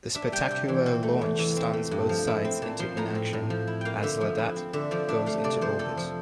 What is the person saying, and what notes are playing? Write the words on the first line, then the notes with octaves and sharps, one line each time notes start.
The spectacular launch stuns both sides into inaction as Lhadatt goes into orbit.
D4 E5
G3 G5
C3 G5
E3
C4
A3
E2
E3
C4 E5
A3
G2
F3
E4
C4
A#2 A5
F3 C6
A2 A#5
C4
A2
F3
E4
A#3 F5 G5
D3 E5
F3
E4
C4
D3 E5
F3 D5
D4 E5
A3 F5
C3 D5
F3 C5
F2 A4
F3